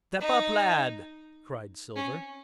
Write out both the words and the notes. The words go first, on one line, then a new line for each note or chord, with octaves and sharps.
"Step up, lad," cried Silver.
D#4
C#4